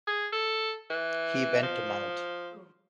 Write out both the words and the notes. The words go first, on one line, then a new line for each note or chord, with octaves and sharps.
He went to Mt.
G#4
A4
E3
F3